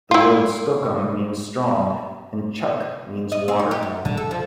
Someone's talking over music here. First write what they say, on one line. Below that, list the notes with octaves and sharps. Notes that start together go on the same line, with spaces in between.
The word "skookum" means "strong", and "chuck" means "water".
E4 F4
D#5
C4
D#4
G4
F#2
D3
A4
F3